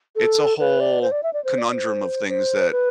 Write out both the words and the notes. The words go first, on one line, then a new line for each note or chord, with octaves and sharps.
it's a whole conundrum of things that
A4
B4
D5
C5
D5
E5
D5
C5
D5
C5
C5
B4